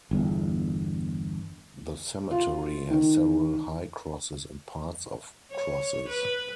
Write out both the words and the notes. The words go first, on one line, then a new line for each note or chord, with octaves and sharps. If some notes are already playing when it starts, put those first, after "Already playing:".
The cemetery has several high crosses and parts of crosses.
G1 E2
F4
D#3
C#5
B4